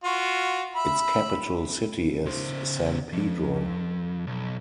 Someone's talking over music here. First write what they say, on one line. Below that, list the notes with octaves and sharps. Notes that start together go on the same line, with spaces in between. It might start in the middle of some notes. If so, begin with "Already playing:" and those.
Its capital city is San Pedro.
F4 F#4
E5 B5
C#3 C5
F2
B1